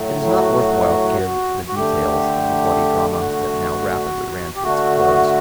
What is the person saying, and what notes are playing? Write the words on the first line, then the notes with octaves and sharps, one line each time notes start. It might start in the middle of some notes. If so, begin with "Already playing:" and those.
It is not worth while to give the details of the bloody drama that now rapidly ran to its close.
Already playing: A2 F#3 A3
E4
F#4
F#4
D3 A3 G4
G4
F#4
G4
D3 A3 F#4